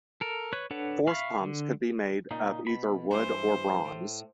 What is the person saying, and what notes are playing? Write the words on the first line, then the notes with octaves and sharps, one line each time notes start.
Force pumps could be made of either wood or bronze.
A4 A#4
B4 C#5 F#6
D4 A4 B4 C#5 F#5
E5 F5 B5 C#6 F6
D3
A#2 C#3 D#4
B2 B5
G2 E3 C5
A2